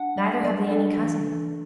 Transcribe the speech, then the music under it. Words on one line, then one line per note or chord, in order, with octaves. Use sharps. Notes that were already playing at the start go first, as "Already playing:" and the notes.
Neither have they any cousin.
Already playing: D4 F#5
F#3 D5
F#3 D5
D4 A4
E3
E3